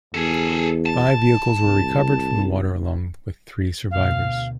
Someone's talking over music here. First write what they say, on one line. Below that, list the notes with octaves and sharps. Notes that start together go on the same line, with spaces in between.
Five vehicles were recovered from the water along with three survivors.
E2 G#4 A4
A5
C2
D2 B2 F5